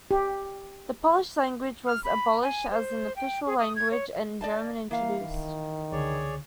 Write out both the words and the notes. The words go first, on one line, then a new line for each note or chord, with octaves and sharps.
The Polish language was abolished as an official language and German introduced.
G4
F6
B5
G#5
C5
G5
G#4
D#6
G#6
C#5
D5 D#5 A5
E3 A#3 F5
D#3
C#2 D3 G#4 C#5 D5